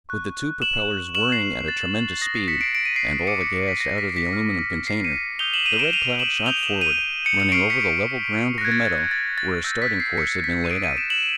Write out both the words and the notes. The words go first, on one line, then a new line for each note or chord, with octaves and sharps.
With the two propellers whirring at a tremendous speed, and all the gas out of the aluminum container, the Red Cloud shot forward, running over the level ground of the meadow, where a starting course had been laid out.
C#6 F#6
E7 F#7
C#6 F6 E7 F#7
C7
A6
D#6 F#6 A#6
C7
B6 C#7
C7 D7
D7
D#7
C7 D7
D6 F6 C#7 D#7
B6 C#7
B6
A#6
B6
C7
B6
D6 F6
C7
C#7 D#7
D#6 G6 F7 G7
E7 F#7
D#7 F7
D7 E7
D#7 F7
E7 F#7
D#6 G6 F7 G7
E7 F#7
D#7 F7
C#7 D#7
C#7
C#6 F6 C7 D7
B6 C#7
C#6 F#6 G#6 A#6
A6
A6
G#6
A6
A6
C#6 E6 G6 A#6
B6
C7
B6 C#7
B6 C#7
D#7
D#6 F#6 C7 D7
C#7 D#7
D7 E7
E7 F#7